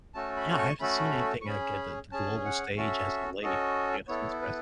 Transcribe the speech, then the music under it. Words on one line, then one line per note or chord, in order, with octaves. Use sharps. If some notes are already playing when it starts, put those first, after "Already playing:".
yeah, I haven't seen anything like at the g the global stage as of late. Yeah, that's interest
A3 C#4 F#4 A4 A5
B5
C#6
A3 C#4 F#4 A4 B5
C#6
C#4 G#4 B5
C#4 G#4 A5
F#5
C#4 F#4 A4 E5
C#4 F#4 A4 D#5
B3 E4 A4 C#5
B4